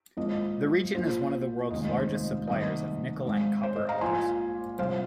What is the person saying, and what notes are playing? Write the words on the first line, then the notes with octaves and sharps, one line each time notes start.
The region is one of the world's largest suppliers of nickel and copper ores.
G#1 G#2 F3 A#3 D#5
A#1 A#2 F3 C5
F1 D#2 D#3 G#3 D#5
C5
D#5
C2 C3 D#3 A#3 D#5
G#1 G#2 G#3
C5
D#5
F5 A#5
A#1 A#2 F3 G#5 C6
C2 C3 F3 C5 F5